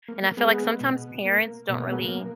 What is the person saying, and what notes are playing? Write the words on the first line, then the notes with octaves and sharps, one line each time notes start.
And I feel like sometimes parents don't really
A#3
A#3
G#3 B3
B2
A#3
B2 A#3
A#3
G#3 B3
A#3